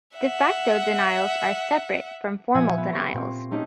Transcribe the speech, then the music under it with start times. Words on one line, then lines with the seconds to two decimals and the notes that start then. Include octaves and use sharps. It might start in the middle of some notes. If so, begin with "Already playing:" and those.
De facto denials are separate from formal denials.
0.17 E5 F#5
2.54 A#2 F3 E5 F#5 G#5
2.78 B3
2.92 G4 B4 C#6 A#6
3.13 A#2 C4
3.51 A3 C#4 D#4 G4 D#5